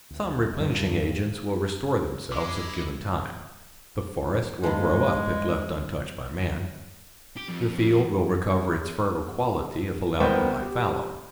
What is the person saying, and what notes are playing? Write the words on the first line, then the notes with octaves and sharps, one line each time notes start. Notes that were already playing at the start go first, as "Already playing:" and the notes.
Some replenishing agents will restore themselves if given time; the forest will grow up if left untouched by man; the field will recover its fertile quality if allowed to lie fallow.
D2
D2
G2
G#3 E4 D6
G2 D#3 F3 G#3
G4
F2
C2 B3 A#4 C5 G5 G6
G4